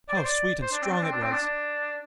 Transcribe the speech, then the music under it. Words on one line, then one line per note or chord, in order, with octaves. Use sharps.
How sweet and strong it was!
D5
C5
D5
C5
D4
C4
D4
C4
D4
C4
D4
D4